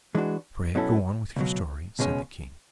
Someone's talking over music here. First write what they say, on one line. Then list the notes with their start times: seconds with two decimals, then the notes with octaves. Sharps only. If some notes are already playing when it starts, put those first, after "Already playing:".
"Pray go on with your story," said the King.
0.15 E3 G#3 D4 F#4
0.75 B2 F#3 C#4 E4 A4
1.36 C#2 B2 F#3
1.99 C#2 B2 G#3 C#4